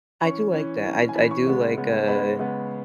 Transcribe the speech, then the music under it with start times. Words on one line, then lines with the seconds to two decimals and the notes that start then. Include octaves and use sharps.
I do like that, I I do like, uh,
0.22 E3 C#4 C#6
0.52 E3 C#4
0.84 E3 C#4
1.09 G#5
1.15 E3 C#4 B5
1.31 C#6
1.45 C#3 G#3 B3
1.77 C#3 G#3 B3
2.08 C#3 G#3 B3 B5
2.39 C#3 G#3 B3